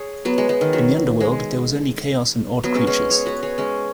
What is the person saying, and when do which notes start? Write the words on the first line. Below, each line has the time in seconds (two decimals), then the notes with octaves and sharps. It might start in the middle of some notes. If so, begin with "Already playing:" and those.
In the underworld, there was only chaos and odd creatures.
Already playing: G#4 C#5
0.25 F#3 B3
0.38 G#3
0.49 G#3
0.61 D#3
0.73 F#3
1.20 G#3
2.64 F#3 B3
2.74 G#3 C#4
2.87 G#3 C#4
3.10 G#4 C#5
3.26 F#4 B4
3.43 G#4 C#5
3.58 G#3 C#4